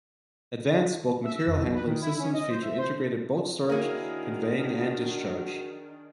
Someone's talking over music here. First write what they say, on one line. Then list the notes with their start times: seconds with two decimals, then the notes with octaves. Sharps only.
Advanced bulk material handling systems feature integrated bulk storage, conveying, and discharge.
1.23 E5
1.35 E6
1.47 F2
1.60 B1
1.74 B4
1.86 D#3
2.01 E4
2.19 C#4
2.34 D#5
2.48 C5
2.62 E5
2.78 C5
3.69 D#3 A#3 C#4 D4 E4 F#4 G#4 A#4